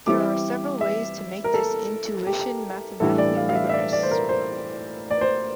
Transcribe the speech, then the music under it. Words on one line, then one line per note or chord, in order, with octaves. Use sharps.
There are several ways to make this intuition mathematically rigorous.
E3 G3 C4 E4 D6
E5
A#4
A4
G4
A2 E3 G3 D4 A4
D5
F5
F5
E5
E5
D5
D5
C5
A#4
C5
D5
C5